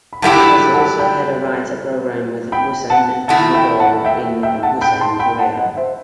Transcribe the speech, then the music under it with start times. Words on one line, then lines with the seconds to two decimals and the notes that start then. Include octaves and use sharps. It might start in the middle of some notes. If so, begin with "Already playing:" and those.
It has also had a writer program with Busan Ilbo in Busan, Korea.
0.13 B5
0.22 G2 F#3 A3 E4 G4 F#5 A5
0.48 G5 B5
0.74 F#5 A5
0.99 G5 B5
2.52 G5 B5
2.90 F#5 A5
3.28 E2 D#3 A3 E4 F#5 A5
3.54 E5 G5
3.80 F#5 A5
4.05 E5 G5
4.43 E5 G5
4.62 F#5 A5
4.81 G5 B5
5.00 A5 C6
5.19 G5 B5
5.39 F#5 A5
5.58 D#5 F#5
5.77 C5 E5